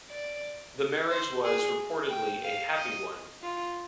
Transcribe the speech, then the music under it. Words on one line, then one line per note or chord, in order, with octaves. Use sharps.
The marriage was reportedly a happy one.
D5
C5
G#4
G5
F5
D#5
F4